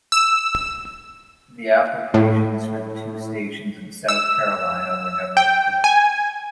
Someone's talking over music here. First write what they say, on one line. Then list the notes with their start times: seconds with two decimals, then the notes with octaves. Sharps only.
The applications for the two stations in South Carolina were never approved.
0.12 E6
2.14 A2
4.09 E6
5.37 G5
5.84 G#5